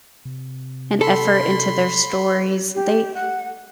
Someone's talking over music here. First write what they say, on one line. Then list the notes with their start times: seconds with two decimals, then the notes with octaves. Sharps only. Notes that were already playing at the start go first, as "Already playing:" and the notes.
and effort into their stories, they
0.25 C3
1.01 A4 B5 C6
2.74 G4
3.14 F#5